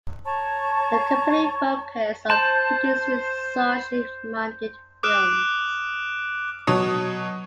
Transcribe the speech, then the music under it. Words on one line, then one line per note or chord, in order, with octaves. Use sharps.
The company focused on producing socially minded films.
C#5 A5 A#5 C#6
C5 A5 C6 G6
D6 D#6 F6 F#6 D7 E7
B2 F#3 C#5 A5 D#6